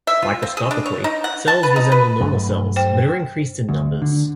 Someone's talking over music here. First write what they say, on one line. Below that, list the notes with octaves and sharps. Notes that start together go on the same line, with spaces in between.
Microscopically, cells resemble normal cells but are increased in numbers.
E5
F4
C4
G#4
D4
C#5
D#4
F#5
A5
B4
D#4
B4
G2 F#3 A3
C5 G5
D2
D3